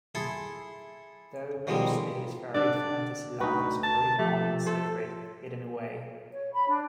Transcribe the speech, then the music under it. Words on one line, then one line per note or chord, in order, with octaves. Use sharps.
Though mostly his varied fantasy life is carried on in secret, hidden away.
E4 G#4 A4 A5 C6
B2 D#3 F3 G3 G#3
D3 D4 D5
D2 D#4 F#4 B4
A5
F3 A3 G4
A4 C5
C#5
B5
D4